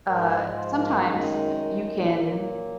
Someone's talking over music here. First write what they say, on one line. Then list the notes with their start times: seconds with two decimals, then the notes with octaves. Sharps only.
uh, sometimes y you can
0.09 G#2 F3 G#3 A#4
0.31 G#4
0.55 C5
0.78 A#4
1.02 F#2 D#3 G#3 D#4
1.96 A#2 F#3 A#3